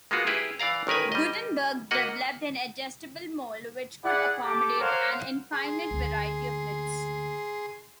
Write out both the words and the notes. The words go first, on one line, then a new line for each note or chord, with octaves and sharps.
Gutenberg developed an adjustable mold which could accommodate an infinite variety of widths.
G#3 A#3 B3 F4 F#4
E4 G4 G#4 B4
E3 D5 F5 A#5
A1 D#3 A#4 B4 G#5
G3 D#5
A#3 F#4 D#5 F#5
E4 G#4 D5 F#5
G4 A4 D6
A#4 C5 C#5 F5 F#5
G#4 C6
D2 A#3